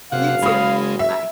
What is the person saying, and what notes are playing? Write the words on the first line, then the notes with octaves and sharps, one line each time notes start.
You, too. Bye.
F#1 C3 F5 F#5
C#3 G#3 B5 D#6
E5